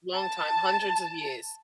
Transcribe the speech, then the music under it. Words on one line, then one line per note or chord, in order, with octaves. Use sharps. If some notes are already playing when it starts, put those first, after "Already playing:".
Long time, hundreds of years.
A5